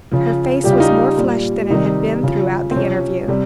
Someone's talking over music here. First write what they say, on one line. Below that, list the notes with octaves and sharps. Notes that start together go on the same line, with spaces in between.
Her face was more flushed than it had been throughout the interview.
C#3 F3
C#3 G3 G4
F4
D#4
F4
A#2 G3
C3 D#3 G3 D#4
C#3 F3
C4
C3 F3 C#4
C3 G3